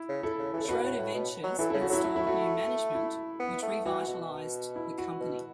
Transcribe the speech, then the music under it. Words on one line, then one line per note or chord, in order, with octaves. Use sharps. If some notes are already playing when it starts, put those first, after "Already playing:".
Schroeder Ventures installed new management which revitalized the company.
Already playing: E4
C#3
E4 A4
C#3
E3 A4
C#3
B2 F#4 B4
A2
A2
B2
F#3
E3 E4 A4
C#3 E4 A4
F#4
F#3 E4
A3 F#4
E4
A3 F#4
E4
B3
A3
E3 F#4
B2
E4
F#4
B2